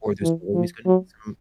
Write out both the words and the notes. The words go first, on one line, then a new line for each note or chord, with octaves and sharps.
or there's always gonna be some
E3
F3
F#3